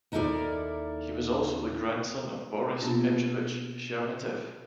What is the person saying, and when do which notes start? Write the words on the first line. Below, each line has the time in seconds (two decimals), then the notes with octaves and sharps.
He was also the grandson of Boris Petrovich Sheremetev.
0.12 D#2 D#4 E4 A4 A#4 D5
2.80 B2 A#3 B3 D4 F4 G4